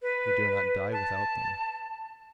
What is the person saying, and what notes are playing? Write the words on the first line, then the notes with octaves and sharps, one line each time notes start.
We dare not die without them.
B4
A5